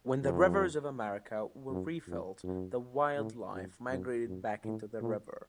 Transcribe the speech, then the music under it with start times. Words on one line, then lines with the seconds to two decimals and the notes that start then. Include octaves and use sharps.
When the Rivers of America were refilled, the wildlife migrated back into the river.
0.23 F2
1.70 F#2
2.07 F2
2.43 F#2
3.17 A2
3.54 F#2
3.91 F#2
4.27 F#2
4.64 A2
5.01 A#2